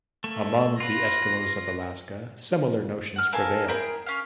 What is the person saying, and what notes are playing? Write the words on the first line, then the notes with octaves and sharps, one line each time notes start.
Among the Eskimos of Alaska, similar notions prevail.
A3 A#3
F4 B4 A#6
F#5 F6
A4 A#4 F5 G#5
E4 G#4 A#4 G5
C#4 F5